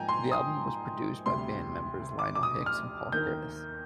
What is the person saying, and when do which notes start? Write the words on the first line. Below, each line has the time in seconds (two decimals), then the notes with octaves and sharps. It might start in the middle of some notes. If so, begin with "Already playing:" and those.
The album was produced by band members Lionel Hicks and Paul Curtis.
Already playing: G#2 F3 A#3 G5 G#5 A#5
0.09 C6
0.31 D#6
1.26 D2 C3 G3 C6
2.19 D6
2.35 D6
2.43 D#6
2.66 F6
3.12 D#2 D#3 A#3 G6